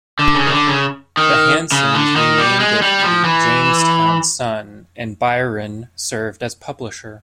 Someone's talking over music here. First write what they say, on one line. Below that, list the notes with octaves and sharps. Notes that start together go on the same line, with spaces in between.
The Hansens renamed it the "Jamestown Sun", and Byron served as publisher.
D3
C#3
D#3
D3
C#3
D#3
C#3
D3
D#3
G3
G#3
G3
F3
E3